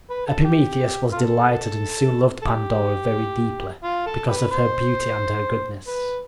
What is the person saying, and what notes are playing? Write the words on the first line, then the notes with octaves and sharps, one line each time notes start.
Epimetheus was delighted and soon loved Pandora very deeply, because of her beauty and her goodness.
B4
A4
G4
F4 A4
A4
G4
F4
A4
G4 B4
C5
B4